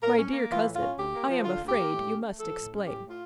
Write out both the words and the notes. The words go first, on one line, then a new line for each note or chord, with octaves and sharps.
"My dear cousin, I am afraid you must explain."
A2 A#4
C#4
A#3
E3 F4
A2
F4
C#4
D2 G4
A#3
F3
D3 F4
D2
G4
A#3
A2
C#4
A3
F3 A4
A2
C#4
A2 G4
A2
F4